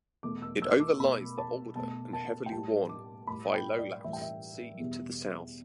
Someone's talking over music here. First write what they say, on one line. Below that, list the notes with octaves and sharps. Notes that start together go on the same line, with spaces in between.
It overlies the older and heavily worn Philolaus C to the south.
E2 B2 A3 D6
E6
E6
D6
B2 A3 B5
A5
B2 A3 A5
A5
G5
A2 G3 A5
D6
A2 G3 B5
G5
D5
A2 E3 G3 E5
G5
E5
E2 B2 G3